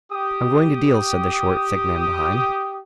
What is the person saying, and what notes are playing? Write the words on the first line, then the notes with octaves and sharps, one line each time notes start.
"I'm going to deal," said the short, thick man behind.
G4 D#6